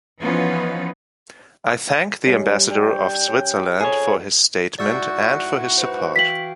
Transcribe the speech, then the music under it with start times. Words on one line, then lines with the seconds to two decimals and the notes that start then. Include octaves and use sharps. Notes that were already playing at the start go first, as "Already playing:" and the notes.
I thank the Ambassador of Switzerland for his statement and for his support.
0.21 E3 F3 B3 C#4 D#4 F4
2.26 G3 C#4 D#5
2.71 D4 G5
3.28 C#4
3.81 F2 G#4 C#5
4.79 G#2 E4 F#4 D5 E6 G6
5.78 B4 C5
6.16 E3 F#4 F5 G5 B6 F#7